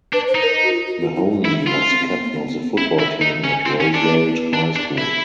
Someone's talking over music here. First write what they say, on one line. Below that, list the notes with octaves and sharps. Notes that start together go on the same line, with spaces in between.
Mahoney was the captain of the football team at Roosevelt High School.
D4 B4
C5
D#4
A#4
F#4
F4
F#4
F4
E4
D#4
D4 E4
D4
F4
C#4
C4
C4
B3
A#3
B3
B3
B3
C#4 E4
E4
D#4
C#4
C4
C#4
D4
A#3
B3
D4
D4
E4